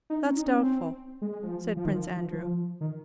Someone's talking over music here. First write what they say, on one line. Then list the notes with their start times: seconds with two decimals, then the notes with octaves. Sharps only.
"That is doubtful," said Prince Andrew.
0.10 D#4
0.25 C#4
0.36 D#4
0.47 C#4
0.58 C4
1.22 G#3
1.32 G#3
1.43 F3
1.77 F3
1.85 D#3
1.95 F3
2.17 F3
2.33 F3
2.81 D#3